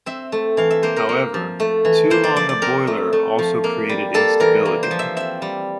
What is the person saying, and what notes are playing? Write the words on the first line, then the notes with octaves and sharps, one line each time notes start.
However too long a boiler also created instability.
C4 E5
A3
E3 F5
E5
A#3 C5
A#4
A#3
F3
A3
E3
A#3 C5
D5
F3 D5
D5
C4 A#4
A3
A3
F3
A#3
G3
A#3 A4
E3 A#4
A#3
C5
F3
E5
C4 E5
G3